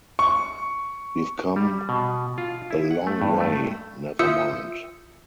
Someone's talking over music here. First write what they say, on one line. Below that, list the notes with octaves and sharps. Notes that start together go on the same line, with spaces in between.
We've come a long way; never mind.
C#6
G3
B2
F4
E4
F#5
A3
G2
A3
F4 E5 D#6 E6 G6 C#7